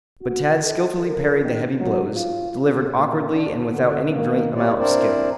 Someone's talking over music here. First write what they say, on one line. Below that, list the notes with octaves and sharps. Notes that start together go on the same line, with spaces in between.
But Tad skillfully parried the heavy blows, delivered awkwardly and without any great amount of skill.
F#4
A4
A#4
D#3
F#3
F4
A#2
D4
D3 B3
D#3 A#3
E4 G4 C#5 D5
C4 D4 E4 A#4 C5 D5